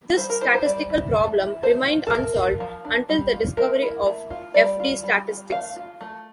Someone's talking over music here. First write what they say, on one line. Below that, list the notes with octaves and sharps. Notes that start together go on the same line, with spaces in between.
This statistical problem remained unsolved until the discovery of F-D statistics.
G3 C5
A#4
E4 C5
C5
G3 D5
E4
E3
E4
A3 C5
F4
A4
A3 A#4
F4
F3
D4
G3
F4
A3 A#4
E4
A3
F4
G3 D5
F4
G3
F4
A3 F5
F4
A3